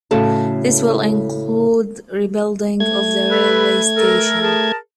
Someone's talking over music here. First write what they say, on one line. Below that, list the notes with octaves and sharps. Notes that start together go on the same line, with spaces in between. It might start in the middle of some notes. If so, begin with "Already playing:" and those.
This will include rebuilding of the railway station.
A2 C#3 F#4 A4 C#5 A5
A3 G#6
A4 B4 B5
A4 A#4
G#4 A#4 A5